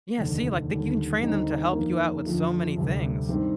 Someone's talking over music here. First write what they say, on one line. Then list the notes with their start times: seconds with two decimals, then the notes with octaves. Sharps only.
Yeah, see, like, you can train them to help you out with so many things.
0.18 F1 D#2 D3
0.70 D#2 D3 G3
1.21 D#2 D3 G3 C4 D#4
1.73 F2 D#3 A#3
2.24 F2 D3 F3 A3 D4
2.77 D2 C3 G3
3.28 G2 D#3 G3 C4